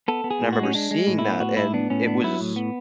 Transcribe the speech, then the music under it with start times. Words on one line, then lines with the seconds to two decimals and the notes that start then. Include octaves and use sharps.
And I remember seeing that, and it was,
0.08 B3 A4
0.24 B3
0.31 G#4
0.42 A2
0.53 F#4
0.58 G#3
0.63 C#4
0.74 G#3 D4
0.91 G#3
1.07 A2
1.19 E4
1.25 B3
1.40 A2 F#4
1.57 A2 E4
1.74 B3 D4
1.90 A2 C#4
2.06 B3 D4
2.23 F#3 E4
2.41 A2
2.56 B3